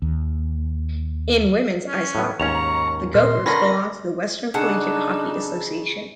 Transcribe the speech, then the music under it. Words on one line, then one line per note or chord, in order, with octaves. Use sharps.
In women's ice hockey, the Gophers belong to the Western Collegiate Hockey Association.
D#2
C#4
A2 B3
D#2 G#2 C#4 A#5 C#6
A#2 A#4 C6
D3 C#4 A#4 B4 C6 A#6
C#3 D4 D#4 A4 F#5